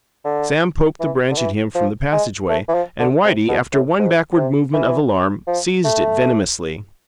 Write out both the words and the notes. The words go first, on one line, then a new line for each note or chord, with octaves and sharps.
Sam poked the branch at him from the passageway, and Whitey, after one backward movement of alarm, seized it venomously.
D3
E3
D3
E3
F3
G#3
A3
E3
F3
D3
C3
B2
A2
G#2
C3
E3
F3
A3